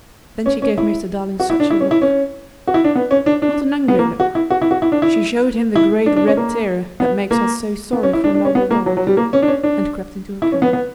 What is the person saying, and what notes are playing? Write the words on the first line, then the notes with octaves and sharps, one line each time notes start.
Then she gave Mr. Darling such a look, not an angry look: she showed him the great red tear that makes us so sorry for noble dogs, and crept into her kennel.
C#4
C#4
E4
F#4
E4
D4
E4
C#4
E4
C#4
F#4
E4
D4
B3
C#4
D4
D4
B3
A#3
F#4
E4
F#4
E4
F#4
E4
D4
E4
E4
D4
D4
C#4
A#3
B3
A#3
B3
C#4
E4
D4
D4
C#4
B3
A#3
F#3
F#3
G3
A#3
C#4
D4
C#4
D4
E4
C#4
B3
B3